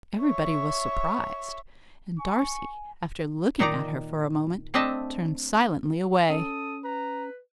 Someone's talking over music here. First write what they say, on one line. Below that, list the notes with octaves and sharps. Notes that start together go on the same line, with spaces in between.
Everybody was surprised, and Darcy, after looking at her for a moment, turned silently away.
C#5 E5
G#5 C#6
A#2 D#3 D#4 D5 A#5
A3 C4 D4 D#5 E5 A5
C#4 A4 D#6
B4 A#5